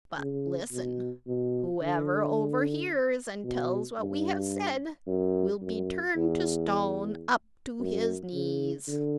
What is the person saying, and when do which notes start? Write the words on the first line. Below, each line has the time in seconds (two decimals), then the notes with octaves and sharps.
But, listen! whoever overhears and tells what we have said will be turned to stone up to his knees.'
0.18 C#3
0.72 B2
1.27 B2
1.82 D3
3.44 B2
4.00 G2
5.07 F#2
5.62 F#2
6.16 E2
7.80 F#2
8.34 C#3
8.88 D3